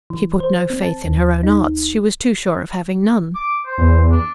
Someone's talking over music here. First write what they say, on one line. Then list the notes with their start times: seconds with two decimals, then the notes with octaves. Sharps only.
She put no faith in her own arts: she was too sure of having none!
0.10 E3
0.40 C5
0.70 C4
0.82 A5
1.04 D#2
1.43 D#4
3.35 D6
3.66 C5
3.78 E2
4.11 D4